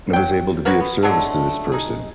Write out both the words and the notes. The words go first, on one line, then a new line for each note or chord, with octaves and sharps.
it was able to be of service to this person.
F#3 G5
A#3 B3 F#4 C#5
B3
D3 F#3 G#3 A3
D#4 G#4